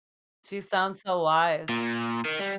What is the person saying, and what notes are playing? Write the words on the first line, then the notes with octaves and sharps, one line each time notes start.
She sounds so wise.
A#2
D#3
G3